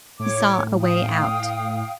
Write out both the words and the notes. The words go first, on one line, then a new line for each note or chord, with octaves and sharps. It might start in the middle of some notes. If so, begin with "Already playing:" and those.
He saw a way out.
A2 C#5 D6
F5 G5 D#6